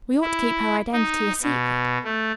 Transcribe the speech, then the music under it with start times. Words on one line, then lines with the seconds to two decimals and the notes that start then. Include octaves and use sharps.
We ought to keep her identity a secret.
0.22 E4
0.93 D#4
1.42 B2
2.04 A3